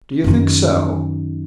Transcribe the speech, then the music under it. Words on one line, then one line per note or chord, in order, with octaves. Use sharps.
"Do you think so?"
F#2 D#3